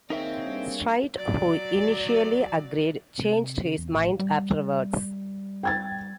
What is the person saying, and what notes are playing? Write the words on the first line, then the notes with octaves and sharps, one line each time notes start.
Straight, who initially agreed, changed his mind afterwards.
D#3 A#3 C4 D#4 G#4 A#4 C#5 E5
G2
F#3 D5
C3
C#3
E2
A1
G3
G5 G#6 A6